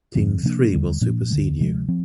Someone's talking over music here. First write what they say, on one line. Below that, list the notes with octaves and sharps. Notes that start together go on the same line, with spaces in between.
Team three will supersede you.
F2 D3 F3 C4
C3 F3 A#3 D4
D#2 D3 G3
A#2 F3 A#3 D4
D2 D3 G#3
D2 C3 F3 G#3
F3 C4